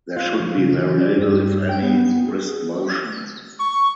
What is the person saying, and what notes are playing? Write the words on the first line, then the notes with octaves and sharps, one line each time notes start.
There should be very little, if any, wrist motion.
F4
F3
C#3
E3
D5
G2
G5
B3
G#4
C#6